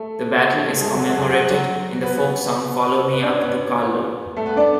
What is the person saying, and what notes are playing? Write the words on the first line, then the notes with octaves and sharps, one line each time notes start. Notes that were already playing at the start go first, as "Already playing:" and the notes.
The battle is commemorated in the folk song "Follow me up to Carlow".
Already playing: A3 A4
A3 A4
G#3 G#4
F#3 F#4
F#4
G#4
F#4
G#4
F#3 F#4
B3 B4
B3 B4
B3 B4
D4 D5
C#4 C#5
B3 B4
A3 A4
B3 B4
D4 D5